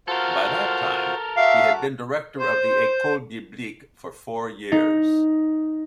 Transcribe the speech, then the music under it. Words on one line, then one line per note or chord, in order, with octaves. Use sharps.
By that time he had been director of the Ecole Biblique for four years.
F4 F#4 A4 A#4 C5
F#4 E5 F5 D6
C5
D#4